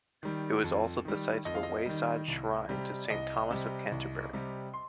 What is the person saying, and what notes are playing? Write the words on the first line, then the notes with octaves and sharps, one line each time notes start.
It was also the site of a wayside shrine to Saint Thomas of Canterbury.
D#3 G3
F2
D#3 G3
F2 D#5
F5
D#5
D#3 G3
C2
C3 G3
D5
C2 D#5
C3 G3
C2
C3 G3
C6